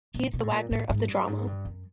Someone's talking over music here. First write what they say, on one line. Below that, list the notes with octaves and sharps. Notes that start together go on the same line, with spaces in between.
He is the Wagner of the drama.
A#2
B2
A2
A#2
A2
G#2
G2
G#2
G2
F#2